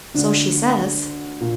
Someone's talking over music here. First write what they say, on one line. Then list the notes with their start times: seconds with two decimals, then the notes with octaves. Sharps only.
"So she says."
0.14 D2 D3 D4
1.41 A#2